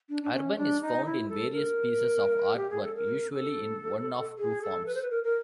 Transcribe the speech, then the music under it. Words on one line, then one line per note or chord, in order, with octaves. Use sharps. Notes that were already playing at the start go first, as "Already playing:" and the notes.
Urban is found in various pieces of artwork usually in one of two forms.
D4
D4
C#4
D4
D#4
E4
A4
A#4
G4
G#4
A4
A#4
A4
G#4
A4
B4
C5
B4
A#4
A#4